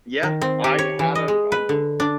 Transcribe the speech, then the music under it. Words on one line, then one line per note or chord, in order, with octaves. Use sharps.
Yeah, I had a I d
D#3
C4
G4
C#5
E3
D#5
G#3
B4
D3
D4